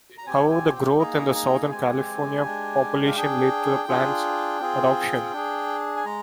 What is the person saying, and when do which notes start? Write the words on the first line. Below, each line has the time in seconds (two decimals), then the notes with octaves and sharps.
However, the growth in Southern California's population lead to the plan's adoption.
0.18 A#5
0.27 C4 G4 G#5
0.46 G5
0.50 G#5
0.75 G5
0.99 A#3 D#4 G#4 A#5
1.35 A#5
1.71 G#3 C4 G4 G#5
2.44 G#3 D4 G4
3.07 F5
3.16 D4 G#4 G5
3.88 D4 F4 G#4
4.60 C4 F4 G#4
5.33 D4 G#4
5.96 G#5
6.05 G#3 A#5